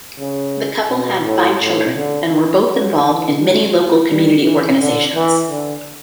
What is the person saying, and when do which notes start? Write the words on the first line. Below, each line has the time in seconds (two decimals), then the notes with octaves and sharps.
The couple had five children and were both involved in many local community organisations.
0.19 C#3
0.90 B2
1.25 A2
1.60 A2
1.95 D3
2.31 E3
2.66 F#3
3.03 E3
3.37 G3
4.08 G3
4.43 E3
4.79 D3
5.14 E3
5.49 D3